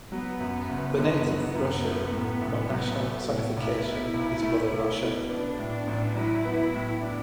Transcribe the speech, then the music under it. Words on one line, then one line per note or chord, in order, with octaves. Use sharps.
The native Russian national personification is Mother Russia.
F#3 B3
F#2
F#1
D3 B3
F#3
F#2
A3
A2
A1
F#3
A3
A2
B1 E4
B2
B1
A3
B1
B2
B3 D4
A2
A1
F#3 E4
B3
A2
D4